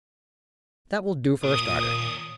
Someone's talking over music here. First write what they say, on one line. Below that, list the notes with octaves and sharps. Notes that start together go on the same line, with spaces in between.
That will do for a starter.
D#2 A#2 D4 D#6